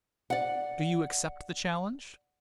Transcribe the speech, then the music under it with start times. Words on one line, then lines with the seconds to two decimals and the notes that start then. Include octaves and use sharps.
Do you accept the challenge?
0.30 D5 F#5